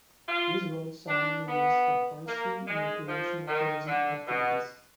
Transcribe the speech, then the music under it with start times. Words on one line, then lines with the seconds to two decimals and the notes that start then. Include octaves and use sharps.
These roads are mainly used for forestry and recreational tourism activities.
0.28 F4
1.08 D4
1.48 B3
2.27 A#3
2.67 G#3
3.07 F3
3.47 D#3
3.87 D3
4.27 B2